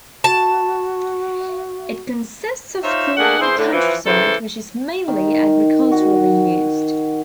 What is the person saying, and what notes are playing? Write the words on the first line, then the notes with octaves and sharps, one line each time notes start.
It consists of plain countryside, which is mainly agriculturally used.
F#4 A5
D#4 F4 C5 C#5 E5
A3 A#3 G#4 F#5
E2 E4 G#4 C5
A2 D3
E3 F3
C#3 E3 A4 C5
D#3
F#4